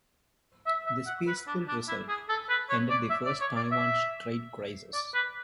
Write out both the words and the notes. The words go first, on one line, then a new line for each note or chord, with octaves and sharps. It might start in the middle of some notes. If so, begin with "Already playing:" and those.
This peaceful result ended the First Taiwan Strait Crisis.
E5
E5
F#5
B4
D4
D4
E4
G#4
A4
B4
C#5
D5
E5
D5
C#5
D5
E5
D5
B4